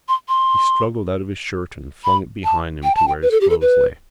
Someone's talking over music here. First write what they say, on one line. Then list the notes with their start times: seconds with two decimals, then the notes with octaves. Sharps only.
He struggled out of his shirt and flung it behind him to where his clothes lay.
0.08 C6
0.29 C6
2.04 B5
2.44 A5
2.83 G5
2.95 A5
3.08 G5
3.22 B4
3.31 A4
3.41 G4
3.50 A4
3.61 B4